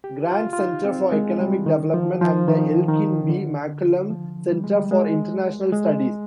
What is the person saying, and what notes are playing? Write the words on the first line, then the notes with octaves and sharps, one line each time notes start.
Grant Center for Economic Development and the Elkin B. McCallum Center for International Studies.
G4
F4
F4
D#4
C4
G#3
G3
D#3
F3
F3
D#3
D#3
D3
F3
G3
G#3
G3
G#3
G#3